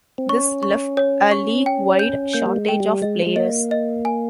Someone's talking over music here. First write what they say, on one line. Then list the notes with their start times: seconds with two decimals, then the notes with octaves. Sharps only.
This left a league-wide shortage of players.
0.18 C4
0.29 C#4 C#6
0.63 C#6
0.97 C#5
1.31 C#6
1.66 G5
1.99 G6
2.33 A#3 G6
2.46 G3
2.56 G#3
2.68 G5
2.80 G3
3.02 G#3 D#5
3.27 G#3
3.36 A#3 D#5
3.71 D#5
4.05 G#5